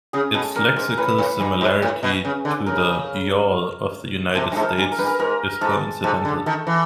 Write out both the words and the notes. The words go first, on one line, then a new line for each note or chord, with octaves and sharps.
Its lexical similarity to the "y'all" of the United States is coincidental.
C#3 G#4
B2 A4
A#2 A#4
G#2 A#4
A2 B4
A2
G2
G#2
A2
B2
C#3
D3
C#3 A#4
C3 A4
G2
G#2 A4
A#4
G2
A#4
G2 B4
A#4
G#2 A#4
G#2 A4
G#2 A4
D3
D#3 A4
E3